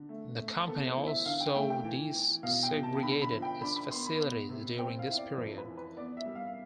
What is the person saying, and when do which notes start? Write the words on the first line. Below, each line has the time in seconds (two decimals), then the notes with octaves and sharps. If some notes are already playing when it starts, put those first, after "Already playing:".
The company also desegregated its facilities during this period.
Already playing: D3
0.09 A3
0.38 A3
0.67 B3 A4
0.87 C5
0.96 E3
1.07 E5
1.26 D3 F5
1.41 G5
1.55 A3 G5
1.70 G5
1.84 E3
2.14 E3
2.43 B2 F5
2.63 G5
2.73 B2
2.83 A5
3.03 D3 B5
3.22 B5
3.32 F3
3.42 G5
3.61 D4 B5
3.76 B5
3.91 B3 C6
4.06 B5
4.20 B3
4.49 C3
4.78 C4 G5
4.99 F5
5.08 E4
5.18 D5
5.37 F2 C5
5.58 B4
5.67 E3
5.77 B4
5.97 B3 D5
6.17 E5
6.26 G3
6.35 F5